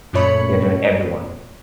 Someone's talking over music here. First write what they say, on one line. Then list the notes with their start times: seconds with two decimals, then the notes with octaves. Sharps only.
you're doing everyone
0.13 F#2 A#2 A3 C#5 B5 C#7